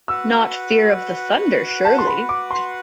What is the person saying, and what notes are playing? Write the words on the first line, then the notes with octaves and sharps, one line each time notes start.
Not fear of the thunder, surely?
F#4 B4 F#5 E6
A5
C6
B5
D6
C6